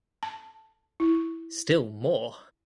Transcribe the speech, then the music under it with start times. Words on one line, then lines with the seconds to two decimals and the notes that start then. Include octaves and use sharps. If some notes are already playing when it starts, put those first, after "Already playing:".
Still More!
0.23 A5
1.00 E4